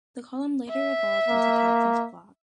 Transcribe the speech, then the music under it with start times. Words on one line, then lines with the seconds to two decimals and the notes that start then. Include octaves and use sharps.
The column later evolved into Captain's Blog.
0.69 E5
1.29 A#3